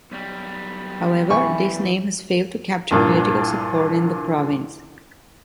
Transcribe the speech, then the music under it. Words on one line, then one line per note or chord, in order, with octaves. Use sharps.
However, this name has failed to capture political support in the province.
B1 G3
E3 C#6
C2 G2 A#2